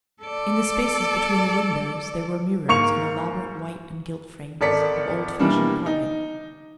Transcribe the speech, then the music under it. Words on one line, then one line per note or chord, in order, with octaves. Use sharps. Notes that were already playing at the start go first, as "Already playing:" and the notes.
In the spaces between the windows there were mirrors in elaborate white and gilt frames, of old-fashioned carving.
A4 D5
G#2 A#3 C#6 C#7 F7
G#1 A4 A#4 D5 B6 C#7
B2 E3 G3 A#3 D4
D#4